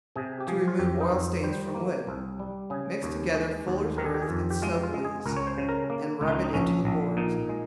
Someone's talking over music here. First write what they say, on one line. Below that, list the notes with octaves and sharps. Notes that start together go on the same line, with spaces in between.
To Remove Oil Stains from Wood.--Mix together fuller's earth and soap lees, and rub it into the boards.
C3 G#4
G4
F3 G#4
F4
F2 G4
D#4
F2
G3 C5
A#3
C2
G3
C#3 G#4
D#2
G#3
D#2
D#3 A#4
G#4
G4
G#4
F2
G4
G#3 F4
F4
G#3
G#4
C#2 A#4
C#5
C5
C#3
A#4
A#3
C#2
F4
D#4
D#4
A#1 C#4
A#1
A#2 D#4
G#3